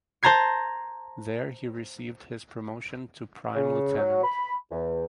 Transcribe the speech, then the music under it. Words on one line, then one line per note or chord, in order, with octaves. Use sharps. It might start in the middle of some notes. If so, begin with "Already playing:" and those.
There he received his promotion to prime lieutenant.
C5 A5 A#5 G#6 C7
C#3
F#3
B5
E2